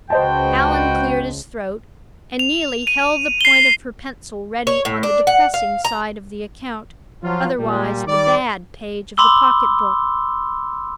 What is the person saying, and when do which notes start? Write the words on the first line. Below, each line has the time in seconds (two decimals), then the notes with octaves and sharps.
Allan cleared his throat, and Neelie held the point of her pencil ready on the depressing side of the account--otherwise the "Bad" page of the pocket-book.
0.10 C#2 C#3 F#4 B4 C5 D#5 G5 A5
2.39 F7
2.87 D#7 F7
3.41 C7 G7
4.67 C#5
4.85 A2
5.03 D4
5.27 F#5
5.54 F5
5.85 A#5
7.23 F3 F#3 F4
7.59 A#2 G3
8.06 D#3 G3 D5
9.17 B5 C6 D6 E6 G7